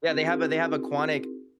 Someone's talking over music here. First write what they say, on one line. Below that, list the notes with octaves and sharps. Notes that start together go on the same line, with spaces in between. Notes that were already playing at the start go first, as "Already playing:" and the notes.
Yeah, they have they have a Quantic
C4 D#4 E4 F#4 G#4 A#4